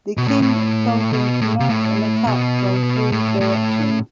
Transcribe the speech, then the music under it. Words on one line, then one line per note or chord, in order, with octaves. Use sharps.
The king told them to mount an attack from three directions.
B2
A2
A2
B2
A2
C3
A2
B2
A2
A2